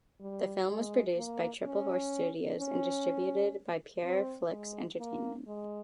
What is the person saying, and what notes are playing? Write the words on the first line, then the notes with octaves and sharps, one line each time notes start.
The film was produced by Triple Horse Studios and distributed by Pure Flix Entertainment.
G3
G#3
A#3
C#4
C#4
C4
G#3
A#3
G#3